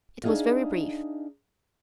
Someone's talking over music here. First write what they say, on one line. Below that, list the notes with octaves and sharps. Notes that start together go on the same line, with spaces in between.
It was very brief.
D4 D#4 F4 G#4 E5 F5